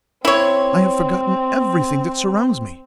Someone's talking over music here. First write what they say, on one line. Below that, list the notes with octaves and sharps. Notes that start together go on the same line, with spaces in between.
I have forgotten everything that surrounds me.
C4 E4 C#5